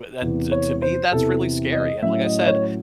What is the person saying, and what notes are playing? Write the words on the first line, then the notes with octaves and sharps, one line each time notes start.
and to to me that's really scary, and, like I said,
E2 C3 E3
C#5
C5
E2 C3 E3 A4
D#5
A2 F#3 C#4 E5
D#5
D#5
C#5